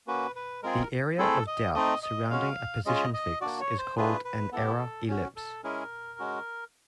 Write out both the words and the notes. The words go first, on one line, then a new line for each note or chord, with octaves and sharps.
The area of doubt surrounding a position fix is called an error ellipse.
A#3 C#4 F#4 B4
B4
G#3 C4 F4 G#4 A#4
A3 C4 E4 G#4 A4
D#5
A3 C4 D#4 D#5
D#5
G#3 C#4 F#4 F5
G#3 C#4 F4 G#4 D#5
D#5
A#3 D4 F#4 D5
C#5
C5
A3 D4 F4 G#4 B4
B4
B3 E4 G4 A4
C#4 F#4
A4
G#3 C#4 E4 G#4 A#4
G#3 C#4 F#4